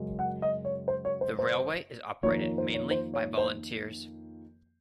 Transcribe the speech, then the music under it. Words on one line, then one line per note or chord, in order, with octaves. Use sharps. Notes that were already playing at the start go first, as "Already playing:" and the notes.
The railway is operated mainly by volunteers.
Already playing: F#2 C#3 G#3
F#5
D#5
C#5
C5
C#5
C5
C5
F2 D#3 A#3 C#5
C#5
C5
C#5
C5
C#5
C5